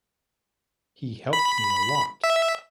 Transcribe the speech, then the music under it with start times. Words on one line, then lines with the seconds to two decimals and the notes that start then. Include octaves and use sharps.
He helped me a lot.
1.33 B5
2.24 E5